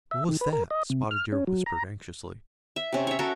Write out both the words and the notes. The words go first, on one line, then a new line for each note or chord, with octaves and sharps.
"What was that?" Spotted Deer whispered, anxiously.
E5
D#3
B4
A#4
D#5
C3
F6
C#4
F#3
A#5
E5
C3 C#4
C#5 E5
F#4 A4 A#4 E5